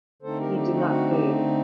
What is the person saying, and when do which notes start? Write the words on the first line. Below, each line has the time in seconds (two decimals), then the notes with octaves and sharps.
He did not pay.
0.22 D3 A3 C4 D#4 A4 C5
0.40 G4 A#4
0.57 G4
0.74 F#4
0.90 F#4
1.11 G4